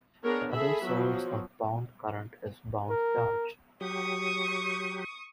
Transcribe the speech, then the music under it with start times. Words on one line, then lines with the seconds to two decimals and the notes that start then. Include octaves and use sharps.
The other source of bound current is bound charge.
0.23 B3 D4 G#4 A#4 C#5
0.53 G#4 A4 E5 B5
0.84 F3 F#3 B3
2.90 A#4
3.81 F#3 G4 C#6 D#6